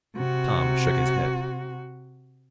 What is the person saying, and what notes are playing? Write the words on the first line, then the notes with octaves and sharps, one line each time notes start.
Tom shook his head.
C3 F#4